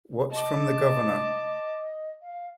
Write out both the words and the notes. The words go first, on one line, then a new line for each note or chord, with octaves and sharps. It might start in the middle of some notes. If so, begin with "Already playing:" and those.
What's from the Governor?
D#5 A5 D6
F5